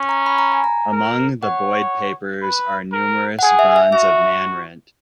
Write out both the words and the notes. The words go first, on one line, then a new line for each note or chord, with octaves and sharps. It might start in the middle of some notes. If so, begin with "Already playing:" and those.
Among the Boyd Papers are numerous bonds of manrent.
Already playing: C#4
A#5
B5
A#5
G#5
A#5
A#4
C#5 F#5
B4
A#4
F#5
G#4 G#5
E5
E5
F#4 E5